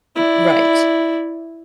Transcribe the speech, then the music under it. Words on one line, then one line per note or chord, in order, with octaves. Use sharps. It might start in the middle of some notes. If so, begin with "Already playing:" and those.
R right.
E4 D5